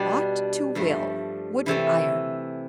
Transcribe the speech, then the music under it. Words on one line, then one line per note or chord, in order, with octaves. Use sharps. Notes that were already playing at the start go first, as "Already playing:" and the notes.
"Ought to will!"--wooden iron!
Already playing: B2 G3 D4
G2 F3 A3
C3 E3 A3 E4 A4